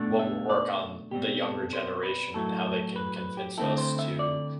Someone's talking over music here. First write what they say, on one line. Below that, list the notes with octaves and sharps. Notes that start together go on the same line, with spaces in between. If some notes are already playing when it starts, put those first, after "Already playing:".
what will work on the younger generation and how they can convince us to
Already playing: B2 A3 D4
E5
D5
B2 G3 C4 G4
A4
C5
B4
A2 F#3 A3 E4 A4
B4
B4
G4
D3 A3 C4 E4 A4
C5
E5
D5